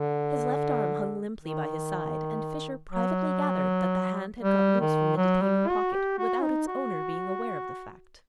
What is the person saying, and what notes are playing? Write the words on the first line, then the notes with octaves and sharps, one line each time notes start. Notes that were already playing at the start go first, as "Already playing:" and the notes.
His left arm hung limply by his side and Fisher privately gathered that the hand had got loose from the detaining pocket without its owner being aware of the fact.
Already playing: D3
D#3
F#3
G3
D#3
F#3
G3
F#4
G4
F#4
D#4
F#4